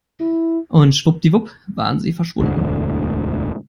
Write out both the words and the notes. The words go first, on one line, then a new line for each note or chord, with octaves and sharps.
Und schwuppdiwupp waren sie verschwunden.
E4
E1 D2 G#2 D3